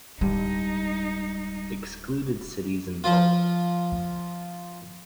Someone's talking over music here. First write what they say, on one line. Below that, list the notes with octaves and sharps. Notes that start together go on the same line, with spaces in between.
Excluded cities in bold.
D1 G2 G#3 D#4
F3 F4